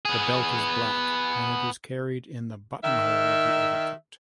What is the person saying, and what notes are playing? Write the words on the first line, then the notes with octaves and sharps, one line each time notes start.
The belt is black, and it is carried in the buttonhole of the overcoat.
B3 G#4
D#3 E5